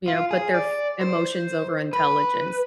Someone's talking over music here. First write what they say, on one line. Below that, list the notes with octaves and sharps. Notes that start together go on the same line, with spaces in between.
you know, put their f emotions over intelligence.
F4
G#4
D5
C5
B4